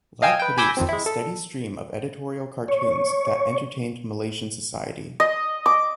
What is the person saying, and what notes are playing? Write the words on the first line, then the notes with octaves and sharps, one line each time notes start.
Lat produced a steady stream of editorial cartoons that entertained Malaysian society.
D#5 F5 G5 G#5 E6
B4 G5
G#5 B5 D6 E6 G6 A#6
F2 D#3 F3 C4
G#3 E4
A4
C#5
D#5
D6